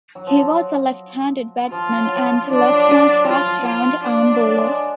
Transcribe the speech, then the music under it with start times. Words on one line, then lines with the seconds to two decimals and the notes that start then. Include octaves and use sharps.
He was a left-handed batsman and left-arm fast round-arm bowler.
0.15 F#3
0.27 F3
0.39 F#3
1.71 F3 F4
1.98 F#3
2.15 F3
2.24 F#3
2.49 F3 D4
2.61 F#3
2.74 F3
2.86 F#3
2.99 F3
3.11 F#3
3.23 F3 F4
3.36 F#3
3.48 F3
3.66 F4
4.05 F3 D4
4.31 F#3
4.58 G#3